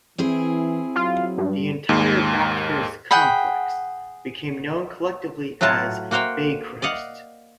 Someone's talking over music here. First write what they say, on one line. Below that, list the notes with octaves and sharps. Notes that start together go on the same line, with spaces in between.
The entire Bathurst complex became known collectively as Baycrest.
E3 C4 E4 G#4
F#3 F4
G2
D#2 G#2
G#4 F#5 G5 B5
A2 F#3 F4 F#4 A5
A#3 F#4 C5 F5 G5
D5 D#5 F5 F#5